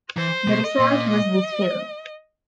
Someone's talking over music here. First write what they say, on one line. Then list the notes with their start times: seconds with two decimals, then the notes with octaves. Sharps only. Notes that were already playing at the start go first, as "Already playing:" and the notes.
The result was this film.
0.17 E3 C5
0.48 B2
0.64 D#5
0.79 A#2
1.10 D#5